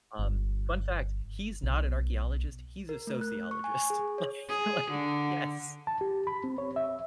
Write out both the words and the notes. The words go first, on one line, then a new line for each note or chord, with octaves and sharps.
Um, fun fact, he's not an archaeologist, he's a sociologist, like like yes.
G1
B1
A#4
A3
F#6
C#6
G#5
G#4
C#5
G#4
D3
A5
G4
B5
C4
C#5
E5